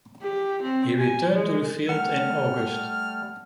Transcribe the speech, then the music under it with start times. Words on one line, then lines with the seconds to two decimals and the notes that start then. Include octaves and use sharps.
He returned to the field in August.
0.22 G4
0.62 C4
0.99 G#5
1.32 G#3
1.89 G3 A3 F#5 F6